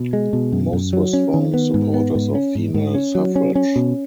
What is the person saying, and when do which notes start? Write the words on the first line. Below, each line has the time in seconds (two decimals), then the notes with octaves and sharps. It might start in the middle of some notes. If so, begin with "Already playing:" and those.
Most were strong supporters of female suffrage.
Already playing: B2
0.13 G#3
0.33 B2
0.53 F#2
0.73 F#2
0.93 F#3
1.13 C#4
1.34 D#3
1.54 B3
1.74 G#2
1.94 B3
2.15 G#2
2.35 C#4
2.55 G#2
2.74 G#2
2.95 C#4
3.15 F#3
3.36 C#4
3.55 C#4
3.76 B2